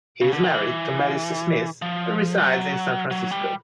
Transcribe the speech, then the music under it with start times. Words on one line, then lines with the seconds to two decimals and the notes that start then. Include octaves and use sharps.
He is married to Melissa Smith and resides in San Francisco.
0.21 C#3
0.33 D3
0.43 D#3
0.54 E3
1.82 F3
2.38 G3
2.46 F#3
3.11 F#3
3.31 G3